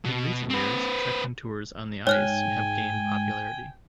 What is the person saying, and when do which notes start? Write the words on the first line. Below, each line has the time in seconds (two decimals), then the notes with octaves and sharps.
In recent years, trekking tours on the ice have gained popularity.
0.05 B2
0.50 C4 B4
2.07 G#2 C#5 G5 G#5 F6 F#6